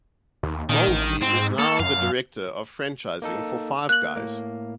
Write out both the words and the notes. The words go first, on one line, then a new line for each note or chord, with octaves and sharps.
Moseley is now the Director of Franchising for Five Guys.
D#2
A#2 D#3
A1
G#2 C4
A#3 A4
F#2 F5
A#3 D#4 A4
A#3 F#6 F#7
A2 A#3